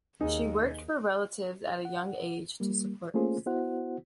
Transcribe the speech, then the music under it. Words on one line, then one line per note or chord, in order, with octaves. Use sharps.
She worked for relatives at a young age to support her studies.
D#2 D#4 G#4
F#5
G3 A#3
A3 A#3 C#4 F4 G#4 C5
B3 E4 F#4 C5 F#5